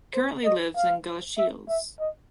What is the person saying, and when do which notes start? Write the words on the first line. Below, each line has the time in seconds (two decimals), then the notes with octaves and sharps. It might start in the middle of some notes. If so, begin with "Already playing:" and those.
He currently lives in Galashiels.
0.14 C5
0.45 D#5
0.76 F5
1.38 E5
1.69 E5
1.99 D#5